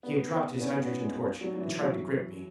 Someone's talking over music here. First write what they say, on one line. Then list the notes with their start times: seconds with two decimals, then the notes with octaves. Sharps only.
He had dropped his hydrogen torch, and tried to grip me.
0.03 B3
0.32 B3
0.55 B3
0.62 C#4
0.82 B3
1.01 G#3
1.21 A#3
1.41 F#3
1.54 F#3
1.60 E3
1.80 F#3